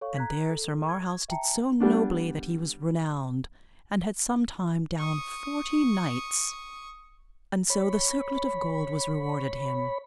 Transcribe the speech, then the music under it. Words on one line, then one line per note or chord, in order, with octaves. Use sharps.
And there Sir Marhaus did so nobly that he was renowned, and had sometime down forty knights, and so the circlet of gold was rewarded him.
A4 C#5 F5 C#6
A#5 F#6 G#6 B6
A4
C#6 G#6
E5 G5 A5 A#5 C#7
G3 B3 D4
C#6 D#6
C#5 B5